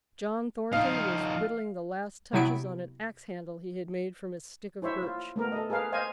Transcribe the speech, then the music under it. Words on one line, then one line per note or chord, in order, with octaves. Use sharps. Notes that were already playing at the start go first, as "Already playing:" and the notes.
John Thornton was whittling the last touches on an axe-handle he had made from a stick of birch.
F3 D#4 F5
C3 F#3 B3 E4 D7
E4 C5 C#5 E5
F4
A3 B3 A#4
A4 D#5
G#4 A#4 B4 F5
C5 D#5 F5 G#5